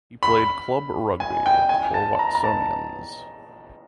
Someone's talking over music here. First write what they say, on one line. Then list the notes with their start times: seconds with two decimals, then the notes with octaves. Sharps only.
He played club rugby for Watsonians.
0.23 B5
1.20 G#5
1.46 G5
1.69 G#5
1.94 A5
2.19 A#5
2.35 A#5
2.44 A5